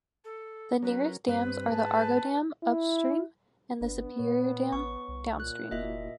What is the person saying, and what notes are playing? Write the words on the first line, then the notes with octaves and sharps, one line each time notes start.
The nearest dams are the Argo Dam upstream and the Superior Dam downstream.
A4
F#3 C#4 A#4 B4
G2 C4 B4
G#2 G#4 A5
E4
G1 B3 D4 B4
A#2 C#5
A1 C#6
C2
A#2 F#6
F1 A#3 E4 F#4 D#5 E5